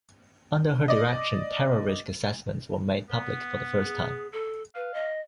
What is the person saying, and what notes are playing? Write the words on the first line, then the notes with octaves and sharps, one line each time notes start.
Under her direction, terror risk assessments were made public for the first time.
D5 D#5
B3
G#4
A4
B4 F5
D#5